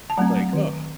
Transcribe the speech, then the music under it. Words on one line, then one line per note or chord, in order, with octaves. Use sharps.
Like, "Ugh,
A5
F#3 A3 C4 F#5 A#5
D#3